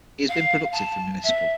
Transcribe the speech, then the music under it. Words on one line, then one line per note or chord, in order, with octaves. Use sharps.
He has been productive for Municipal.
F5
A5
E5